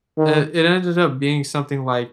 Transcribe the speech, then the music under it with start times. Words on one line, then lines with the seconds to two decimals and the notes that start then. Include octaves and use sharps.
uh, it ended up being something, like,
0.18 D#3